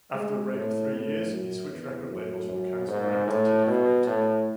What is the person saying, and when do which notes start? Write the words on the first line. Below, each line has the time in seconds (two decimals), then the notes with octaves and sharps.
After a break of three years, he switched record labels from Kanzleramt to Different.
0.14 G#3
0.52 A2
0.92 A2
1.30 F#2
1.70 E2
2.09 F#2
2.48 F#2
2.87 G#2
3.27 A2
3.67 B2
4.06 A2